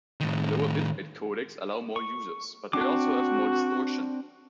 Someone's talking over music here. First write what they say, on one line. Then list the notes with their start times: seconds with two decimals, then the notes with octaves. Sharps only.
Lower bitrate codecs allow more users, but they also have more distortion.
0.20 A2 D#3
1.96 C#6
2.73 C4 D4 F#4 D6